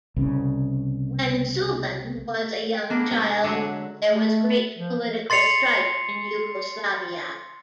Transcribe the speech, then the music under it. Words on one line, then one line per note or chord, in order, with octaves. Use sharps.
When Suvin was a young child, there was great political strife in Yugoslavia.
C2 C#3
G5
A#3 B3 D4
C3 G#3
D3 F#3
A3
F3
C6 A6 C7 C#7 F7